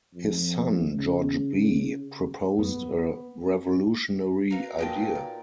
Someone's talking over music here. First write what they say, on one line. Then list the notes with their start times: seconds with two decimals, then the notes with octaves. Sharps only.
His son George B proposed a revolutionary idea.
0.14 F2
0.95 C#3
2.59 B3
4.51 F#4 A#4 B4 F5
4.79 A#2 D#4 G5 A5